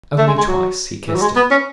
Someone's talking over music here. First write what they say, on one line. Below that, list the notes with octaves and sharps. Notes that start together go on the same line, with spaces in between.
Only twice he kissed him.
A3
G#3
G#3
F#3
E3
F#3
G#3
B3
C#4